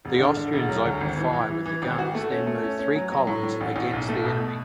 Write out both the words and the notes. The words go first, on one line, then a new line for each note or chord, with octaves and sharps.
The Austrians opened fire with the guns, then moved three columns against the enemy.
E1
D3
D3
E1
F#3
D2
G#1
E3
E3
E3
E3
G#1
F#4
A3
C#4
A3
C#4
C#4
F#3
F#3
A2
A2
A1
A1
B1
A3
B2